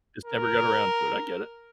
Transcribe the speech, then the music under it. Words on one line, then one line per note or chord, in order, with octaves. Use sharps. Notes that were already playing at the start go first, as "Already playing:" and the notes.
Just never got around to it, I get it.
A#4